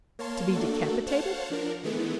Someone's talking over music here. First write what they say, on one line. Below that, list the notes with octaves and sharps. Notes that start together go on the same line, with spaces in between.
To be decapitated?
A#3 C#5 F5 A5 C6
A3 A#3 D4 F#4 A4
C5 C#5 F5 F#5 A5
F3 D4 A#4
D#3 E3 G#3 A3 B3